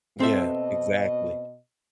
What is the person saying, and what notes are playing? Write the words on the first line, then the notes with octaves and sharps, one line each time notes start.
Yeah. Exactly.
B2 C4 A4 D#5 E5